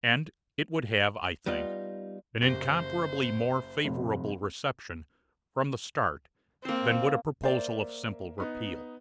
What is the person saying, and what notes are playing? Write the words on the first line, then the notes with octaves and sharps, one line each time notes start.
And it would have, I think, an incomparably more favorable reception, from the start, than would a proposal of simple repeal.
G3 B3 D#4 F4
F#1 G4 C5 A#6
F1
A#3 C4 C5
A#3 C5 D5 E5
B3 D#4 B4